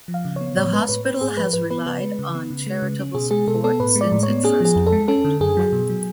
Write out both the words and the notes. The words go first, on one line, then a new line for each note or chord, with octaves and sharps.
The hospital has relied on charitable support since it first opened.
F3
F5
C#3
B3 C#5
A2 C#5
G#3 B4
A2 B4
B3 B4
G#2 G#4
F3 B4
G#2 B4
B3 B4
C#3 B4
G#3
C#3
B3
C#3
G#3
C#3
C#4
B2 G#4
G#3 G#4
B2 A4
B3 A4
A2 B4
G#3
D5
A2
C#5
B3
C#4 G#4
F3 G#4
F2
A4
G#3
C#4 A4
D3
F#2 G#4
F#3
B2
F#3